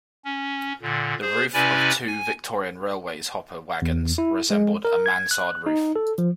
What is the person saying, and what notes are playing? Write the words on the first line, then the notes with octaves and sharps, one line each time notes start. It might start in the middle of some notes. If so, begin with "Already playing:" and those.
The roof of two Victorian Railways hopper wagons resembled a mansard roof.
C#4
A#2 D3
G#4 C5
C3 C#4 E4 B4 D5 G#5
G#5
E2
E4
G#3
A#4
G#6
F#6
D#4
A4
F3